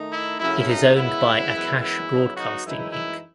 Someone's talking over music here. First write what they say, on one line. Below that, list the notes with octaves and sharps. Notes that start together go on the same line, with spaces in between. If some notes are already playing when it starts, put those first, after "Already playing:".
It is owned by Akash Broadcasting Inc.
Already playing: D#3 A3 D#4
E4
F#2 C#3 F#3 A3 C#4 E4
D#4
F#2 C#3 G#3 B3 E4
F#2 E3 G#3 B3
E4
C#3 F#3 B3 D#4
D#4 F#4
F#2 E3 G#3 D#4 E4
E4